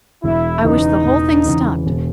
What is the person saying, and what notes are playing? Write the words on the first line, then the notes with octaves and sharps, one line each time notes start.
I wish the whole thing stopped.
E1 E4
E2 C#3 E3 D#4
E1
E2 C#3 E3
E1